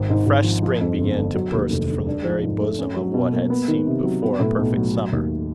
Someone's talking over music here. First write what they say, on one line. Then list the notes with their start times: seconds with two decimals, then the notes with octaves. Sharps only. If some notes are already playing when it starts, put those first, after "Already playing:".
A fresh spring began to burst from the very bosom of what had seemed before a perfect summer.
Already playing: G#1
0.09 G#2
0.26 G#1
0.44 F3
0.63 F3
0.80 F2
0.98 G1
1.16 D3
1.34 F#3
1.53 D#2
1.71 F1
1.88 D3
2.07 D4
2.25 F3
2.43 G#2
2.61 A3
2.79 C#4
2.97 F#3
3.14 B2
3.33 A#3
3.50 B3
3.68 D#3
3.87 C3
4.04 F#3
4.22 B3
4.40 A2
4.58 B1
4.76 F#3
4.94 F#3
5.12 D#2